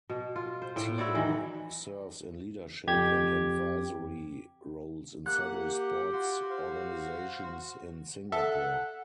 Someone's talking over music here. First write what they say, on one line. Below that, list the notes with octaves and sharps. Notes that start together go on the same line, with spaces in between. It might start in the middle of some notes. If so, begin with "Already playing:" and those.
Teo serves in leadership and advisory roles in several sports organisations in Singapore.
B2
F4
C5
A2 G5
E4 F#4 C#5 D5
D#3 E3 F#3
F2 G4 G#6
A#3 G4 F#5 F#6
F4 F#4 F#5 C6
C5 F5
A4 E5 F#5